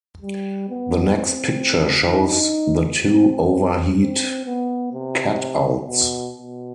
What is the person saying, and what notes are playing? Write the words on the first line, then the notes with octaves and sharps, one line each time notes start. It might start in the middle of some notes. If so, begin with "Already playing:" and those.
The next picture shows the two overheat cutouts.
G3
B3
C4
D#4
C4
C4
B3
C3
B2
B2